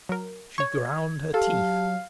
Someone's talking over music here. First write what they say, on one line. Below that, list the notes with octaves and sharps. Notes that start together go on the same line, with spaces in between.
She ground her teeth.
F#3 A#4
C#5 C#6 G#6
G4 A4 F5 A5
F#3